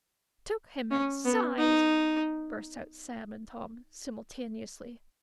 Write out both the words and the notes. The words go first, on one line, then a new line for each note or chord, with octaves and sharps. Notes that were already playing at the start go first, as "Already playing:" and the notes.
"Took him inside!" burst out Sam and Tom simultaneously.
C#4
B3
D#4